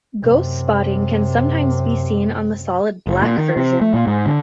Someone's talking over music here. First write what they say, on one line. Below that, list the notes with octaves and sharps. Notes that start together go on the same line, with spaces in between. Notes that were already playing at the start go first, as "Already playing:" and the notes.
Ghost spotting can sometimes be seen on the solid black version.
F#2 C3
F#1
A#2
D#3
C3
A3
A#2
G#2
D3